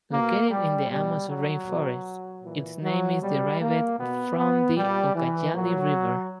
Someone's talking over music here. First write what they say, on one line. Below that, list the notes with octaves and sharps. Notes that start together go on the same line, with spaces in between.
Located in the Amazon rainforest, its name is derived from the Ucayali River.
B2 A#3
G3
B2 G3
F#3
B2
A#2 E3
F#3
B2 G3
A#3
B2 B3
B3
A#2 G3
E3
A#2 F#3